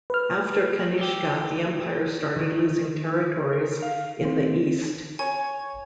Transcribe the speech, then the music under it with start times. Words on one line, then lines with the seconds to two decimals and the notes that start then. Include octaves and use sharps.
After Kanishka, the empire started losing territories in the east.
0.10 B4 F6
0.98 E3 G4
2.36 D#3
3.53 A#4
3.82 F5
4.25 C4
5.19 C#5 G#5